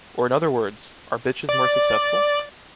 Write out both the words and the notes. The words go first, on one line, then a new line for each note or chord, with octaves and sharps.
Or in other words: are bitches more successful?
D5